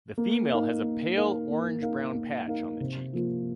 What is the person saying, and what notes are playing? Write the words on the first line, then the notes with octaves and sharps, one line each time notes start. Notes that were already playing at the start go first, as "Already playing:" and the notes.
The female has a pale orange-brown patch on the cheek.
A#3
D#4 A#4 F5
A#3
D#4 A#4 F5
A#3
D#4 A#4 F5
A#3
D#4 A#4 F5
C3
F3 A#3 F4